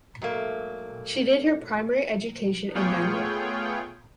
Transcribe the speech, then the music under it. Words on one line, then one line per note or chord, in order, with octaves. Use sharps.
She did her primary education in Bangalore.
G#2 F#3 A3 A#3
A3 B3 F4 G#4 C#5 G5